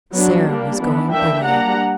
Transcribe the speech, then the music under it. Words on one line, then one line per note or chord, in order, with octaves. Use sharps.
Sara was going away.
F#3 B3 D4
G3 A#3 D4
E3 B3 D4
E3 A#3 D4 E5 G5
G3 A#3 D4 F#5 A#5